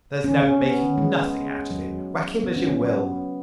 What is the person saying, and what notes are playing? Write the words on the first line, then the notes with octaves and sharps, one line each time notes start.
"There's no making nothing out of him, whack him as you will."
C#4
C#4
B3
G#3
F#3
B3
C#4
B3
F#3